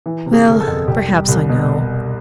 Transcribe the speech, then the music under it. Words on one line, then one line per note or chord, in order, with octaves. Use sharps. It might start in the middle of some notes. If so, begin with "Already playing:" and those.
Well, perhaps I know.
E3
C3
G#4
G1
A#4
A4
F2
C2 G4
G3
C2
B2